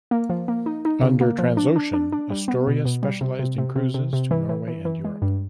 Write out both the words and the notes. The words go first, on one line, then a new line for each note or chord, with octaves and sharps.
Under Transocean "Astoria" specialized in cruises to Norway and Europe.
A#3
F3
A#3
D#4
D#4
C#3
A#3
F3
D4
D4
D4
D4
G3
B3
B2
B2
G3
C3
C3
C3
C3
C3
C3
E3
E3
E3
E3
G#3
G2